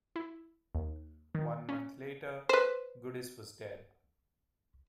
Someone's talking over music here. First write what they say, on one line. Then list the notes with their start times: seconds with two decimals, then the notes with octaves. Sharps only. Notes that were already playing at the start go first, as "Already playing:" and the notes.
One month later, Goodis was dead.
0.16 E4
0.75 D#2
1.35 D#3
1.69 C#4
2.49 B4 C5